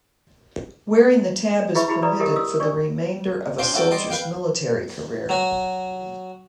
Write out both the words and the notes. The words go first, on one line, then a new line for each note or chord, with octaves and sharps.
Wearing the tab is permitted for the remainder of a soldier's military career.
E4 G#4 B4 E5 B5 C#6
E4 F#4 G#4 B5
B4 D5 A#5 D#6
G4 A4 A#4 D#5
D#6 E6
D4 D5 C#6
F3 C#4 D4 G5 C6
C#4 E4 F#4 A4 G5
G3 D5 D#5 C6
B4 F5 G5
F#3 F#4